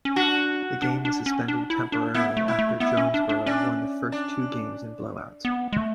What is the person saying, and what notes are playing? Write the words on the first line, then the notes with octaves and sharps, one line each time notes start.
The game was suspended temporarily after Jonesboro won the first two games in blowouts.
C#4
D4 F#4
D4
D4
C#4
D4
E4
D4
B3 E4
A3
E4
A3
B3 E4
C#4
D4
D4
C#4 D4
D4
B3
G#3
A3